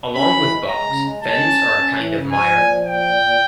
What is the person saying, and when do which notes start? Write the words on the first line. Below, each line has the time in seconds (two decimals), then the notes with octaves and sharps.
Along with bogs, fens are a kind of mire.
0.15 C#4 B5
0.33 E3
0.51 G#3
0.69 G#3 A#5
0.87 C#3
1.05 G#3
1.23 G#3 A5
1.41 C#4
1.59 G#3
1.77 C#4
1.95 E3
2.14 C#3
2.31 F3 G#5
2.50 A#2
2.67 F3
2.86 A#2 G5
3.04 A#2
3.22 A#2